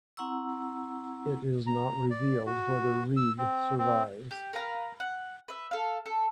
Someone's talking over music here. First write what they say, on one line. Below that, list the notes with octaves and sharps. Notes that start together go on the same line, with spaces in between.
It is not revealed whether Reed survives.
C4 E4 F#5 A#5 C#6 E6
A#5
D5
F#4
E6
C4
C4
G4
A#4 B4 F5 A#5
F#5
B4 E5
A4 F5
A4